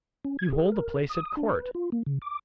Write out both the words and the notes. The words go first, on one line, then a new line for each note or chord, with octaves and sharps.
You hold a place at court.
C#4
G#6
G#4
A#4
D#6
D4
B4
F4
A#3
C#3
D6